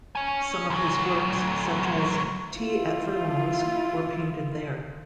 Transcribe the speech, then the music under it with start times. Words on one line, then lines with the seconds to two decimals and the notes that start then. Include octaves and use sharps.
Some of his works, such as "Tea at Furlongs", were painted there.
0.15 C#5 G#5
0.70 D2 F#3
2.55 E4 F4